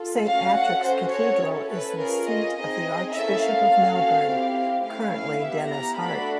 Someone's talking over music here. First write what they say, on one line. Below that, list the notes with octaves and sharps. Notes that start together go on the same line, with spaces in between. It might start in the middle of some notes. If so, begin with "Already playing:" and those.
Saint Patrick's Cathedral is the seat of the archbishop of Melbourne, currently Denis Hart.
Already playing: F4 A4
A3 C#4 F#4 F5
F#5
C#4 F#4 A4 C5
C#5
C#4 E4 A4
B4
C#4 F4 G#4 A#4
D#5
C4 D#4 G#4 D#5
A#3 C#4 E4 A4 E5
F5
C#4 F#4 A4
C4 E4 G4
A3 C#4 E4 F5
F5
B3 E4 G4 E5
A#5
A3 D4 F#4 A4 B5